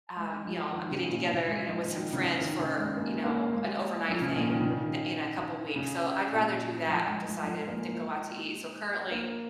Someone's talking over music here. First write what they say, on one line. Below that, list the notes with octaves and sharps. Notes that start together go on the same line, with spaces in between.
um you know, I'm getting together, you know, with some friends for, you know, an overnight thing in in a couple weeks, so I'd rather do that, I've decided, than go out to eat, so currently,
G#3
F3
D#3
C#3
A#2
C#3
G#3
F3
D#3
C#3
D#3
C#3
G#3
A#3
A#3
G#3
F3
C#3
A#2
D#3
C#3
D#3
C#3
A#2
F3
G#3
G#3
F3
A#3
G#3
A#3